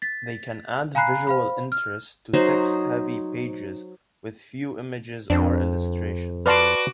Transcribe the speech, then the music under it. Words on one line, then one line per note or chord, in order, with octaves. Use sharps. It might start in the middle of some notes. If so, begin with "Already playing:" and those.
They can add visual interest to text-heavy pages with few images or illustrations.
A6 B6
F5 G#5 A#5 B5 F#6 C7
C5 F5 B5
F6
F#3 D#4 C5
F2 C4 D4
F#4 B4 D5 A5 C6 D6 F6